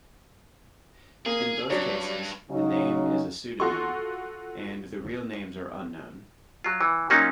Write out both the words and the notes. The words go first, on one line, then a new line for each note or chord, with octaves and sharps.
In both cases the name is a pseudonym, and the real names are unknown.
A#3 G#4
G2 F#3 D4 C#5
C#3 F#3 C#4 D#4
F4 F#4 A4 C6 C#6
F#3 F4
E3
A#2 F#3 A#3 C#4 D#4